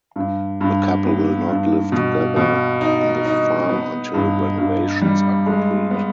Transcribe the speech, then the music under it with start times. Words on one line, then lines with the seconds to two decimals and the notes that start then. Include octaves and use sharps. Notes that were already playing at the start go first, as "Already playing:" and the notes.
The couple will not live together on the farm until renovations are complete.
0.16 G2
0.61 G2
1.04 B3
1.49 G2
1.92 B2
2.36 B2
2.81 D#4
3.25 D#4
3.69 B3
4.14 G2
4.58 G2
5.01 G3
5.46 G#3
5.90 B3